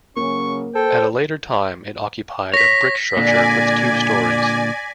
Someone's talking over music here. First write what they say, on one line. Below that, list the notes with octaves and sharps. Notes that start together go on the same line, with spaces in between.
At a later time it occupied a brick structure with two stories.
C#3 F#3 A#3 C#4 C#6
A4 C5 G5
C#5 A#6 B6
A#2 D3 D5 G#5